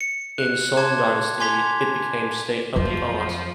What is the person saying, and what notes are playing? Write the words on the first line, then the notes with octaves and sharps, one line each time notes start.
In Song Dynasty, it became state of the art.
C#7
F#6
A5 C6 D6 G#6
G#5 C6 D6 G#6 B6 F7
F2 F3 F#3